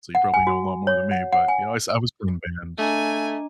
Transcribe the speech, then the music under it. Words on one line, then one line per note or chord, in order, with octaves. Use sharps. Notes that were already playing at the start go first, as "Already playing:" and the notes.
so you probably know a lot more than me, but, you know, I s I was playing in band.
F#5
G#5
F#4
C#5
F#5
F#5
G#5
A3 D4 D#5 G#5 A#5